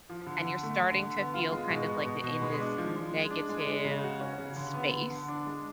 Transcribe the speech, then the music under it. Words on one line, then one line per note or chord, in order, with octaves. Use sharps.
and you're starting to feel kind of, like, th in this negative space
F3
D3
D3
A3
D3
D3
B3
F4
G#3
B2
B2
B2
B2
G#3
D4
F3
G#3
G#3
D4
G#3
G#3
C#3
F#4
C#4
C#3
D3
B3
D3
D3
D4
G#3